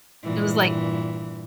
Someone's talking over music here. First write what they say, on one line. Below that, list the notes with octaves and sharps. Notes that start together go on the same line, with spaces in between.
It was like
G2 A#2 E3